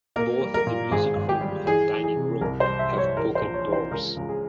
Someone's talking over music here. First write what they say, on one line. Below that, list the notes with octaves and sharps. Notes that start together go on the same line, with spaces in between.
Both the music room and dining room have pocket doors.
A#3 A#4
G3
A#4
A#2
G#1 G#4
G#1
G4
G3
E3 G#4
E3
G#4
C3
C2 A#4
C5
G3
E5
G3
C#5
E3 A#4
C5
A#1
C#5
E3
C5
C#2 A#4
C#2
G#4